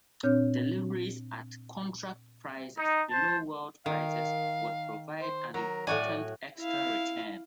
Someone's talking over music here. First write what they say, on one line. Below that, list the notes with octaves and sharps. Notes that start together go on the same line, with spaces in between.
Deliveries at contract prices below world prices would provide an important extra return.
A#2 C4 D4 C#5 F6 G6
D#4
C5 A5
D#3 F5
C5
F#3 A#4
A2 F#4 D5 G#5
E4 F5